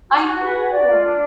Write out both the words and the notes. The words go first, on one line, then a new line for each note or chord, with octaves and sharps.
I know.
F#4
F#4
B4
F#4
D5
F4
D4